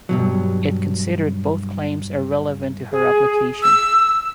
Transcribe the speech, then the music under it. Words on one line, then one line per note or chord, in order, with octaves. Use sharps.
It considered both claims irrelevant to her application.
G2 B2 F#3
G#4
E6